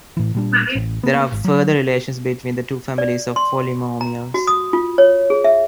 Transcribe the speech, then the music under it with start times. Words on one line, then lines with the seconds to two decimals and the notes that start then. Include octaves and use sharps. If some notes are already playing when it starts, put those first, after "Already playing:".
There are further relations between the two families of polynomials.
0.17 A2 E3
0.35 A#2 G3 D4
0.75 A1
1.03 A#3 B3
1.32 G#1
1.45 F#3
2.98 D5
3.36 C6
4.01 A#5
4.34 F#4
4.47 D#6
4.73 F4
4.98 C#5
5.30 G#4
5.44 E5